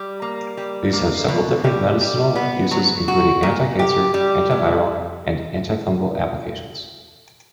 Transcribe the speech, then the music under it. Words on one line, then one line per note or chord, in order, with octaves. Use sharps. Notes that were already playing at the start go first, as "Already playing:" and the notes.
These have several different medicinal uses including anti-cancer, anti-viral, and anti-fungal applications.
Already playing: G3
A#3
G3
A#3
B2
G3
G3
B3
F#3
F#4
A#2
G4
G3
E4